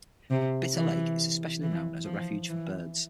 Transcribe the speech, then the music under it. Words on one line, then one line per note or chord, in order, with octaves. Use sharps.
Bitter Lake is especially known as a refuge for birds.
C3
E3
E3
F3
E3